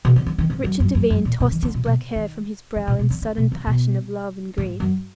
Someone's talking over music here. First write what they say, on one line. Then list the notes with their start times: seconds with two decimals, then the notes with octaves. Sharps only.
Richard Devine tossed his black hair from his brow in sudden passion of love and grief.
0.05 B2
0.16 D3
0.26 D3
0.38 D#3
0.50 G#2
0.64 F#2
0.80 F#2
0.95 F#2
1.10 F#2
1.25 A#2
1.40 B2
1.51 D#3
1.63 D3
1.75 A#2
1.85 B2
2.16 D#3
2.76 D3
2.87 A#2
2.99 B2
3.10 D3
3.22 D3
3.37 B2
3.52 D3
3.67 B2
4.58 G#2
4.80 F#2